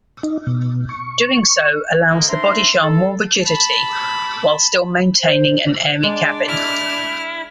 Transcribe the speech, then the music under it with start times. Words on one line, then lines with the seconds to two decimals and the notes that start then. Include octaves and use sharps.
Doing so allows the bodyshell more rigidity while still maintaining an airy cabin.
0.23 D#4
0.47 B2
0.89 C#6
2.08 D3 G#3 A#3 D#4
2.28 D4 D#4 C5 E5 A#5 C6
2.82 A4
3.43 A5 B5
5.21 C5
6.03 G#3 D4 D5
6.48 E4 F6